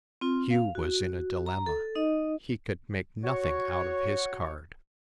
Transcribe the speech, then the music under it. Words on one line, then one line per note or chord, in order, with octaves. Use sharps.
Hugh was in a dilemma; he could make nothing out of his card.
C4 F4
F5
F#4
A#5
A4
D#4 D#5
F#4 C#5